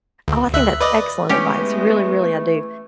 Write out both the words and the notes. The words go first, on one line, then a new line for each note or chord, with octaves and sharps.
oh, I think that's excellent advice, really, really I do,
D2
D2 E5 F#6
B4 D5 D#5
E3 G#3 A3 B3 C#4 G4